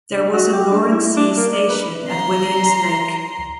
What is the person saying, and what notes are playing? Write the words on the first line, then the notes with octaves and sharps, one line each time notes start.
There was a Loran-C station at Williams Lake.
D4
F#4
G4
D4
E4
D4
A#3
D5
B4
A#5 C6